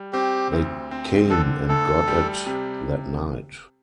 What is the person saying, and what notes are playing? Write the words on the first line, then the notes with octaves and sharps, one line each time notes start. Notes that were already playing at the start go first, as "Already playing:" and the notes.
They came and got it that night.
Already playing: G3
C4 G4
D2
C4
D3 A4
D2 A4
G3
C3